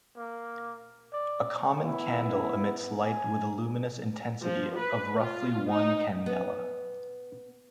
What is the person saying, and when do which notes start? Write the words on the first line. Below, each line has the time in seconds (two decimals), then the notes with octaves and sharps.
A common candle emits light with a luminous intensity of roughly one candela.
0.17 A#3
1.13 D5
1.84 B3 E4
2.98 G#5
4.44 F3
4.78 B4
5.20 F4
5.70 D#4
6.26 B3